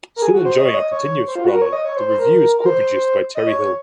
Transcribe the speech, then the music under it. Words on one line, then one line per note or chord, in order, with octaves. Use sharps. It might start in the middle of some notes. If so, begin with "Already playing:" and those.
Still enjoying a continuous run, the revue is co-produced by Terry Hill.
A#4
G#4
F#4
C5
D#5
C#5
D#5
C#5
C5
F4
F#4
A#4
C#5
D#5
C#5
C5
C5
A#4
A#4
C5
D#5
C#5
C#5